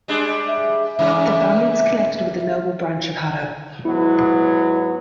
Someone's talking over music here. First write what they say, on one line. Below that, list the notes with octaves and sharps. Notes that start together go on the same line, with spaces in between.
The family was connected with the noble branch of Haddo.
G3 G#3 D4
E5
G2 C#3 E3 E5
G#2 F#3 B3 E4